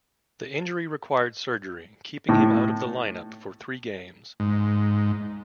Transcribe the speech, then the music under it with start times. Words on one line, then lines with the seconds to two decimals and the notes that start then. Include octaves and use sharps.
The injury required surgery, keeping him out of the lineup for three games.
2.29 A2
4.40 G#2